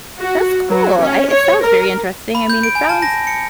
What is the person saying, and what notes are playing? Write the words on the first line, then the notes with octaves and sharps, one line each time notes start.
that's cool, I it sounds very interesting, I mean, it sounds
F#4
F#3
C#4
C#5
A#4
B5
G6
D7
G#5
A5
A#6
C#7